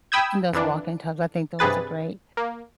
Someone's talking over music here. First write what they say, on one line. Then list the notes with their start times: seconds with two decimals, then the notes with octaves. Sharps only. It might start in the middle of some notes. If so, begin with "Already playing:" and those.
and those walk-in tubs, I think those are great,
0.12 G5 B5 D#6 E6 G6 G#6
0.53 F2 E3 D4
1.59 G2 C3 G#4 B4 A6
2.37 A#3